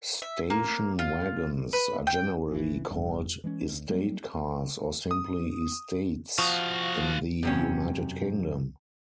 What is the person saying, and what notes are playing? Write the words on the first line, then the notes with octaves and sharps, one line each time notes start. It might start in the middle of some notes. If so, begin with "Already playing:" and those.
Station wagons are generally called "estate cars" or simply "estates" in the United Kingdom.
E5
A#3
F4
B4
G5
G#1 E3
F1 G2
E3 G#3 A#3 C#4
D2
F#3 G3 A#3
D#6
F3 F#4 F5 C#6 D#6
F#2 C3 C#4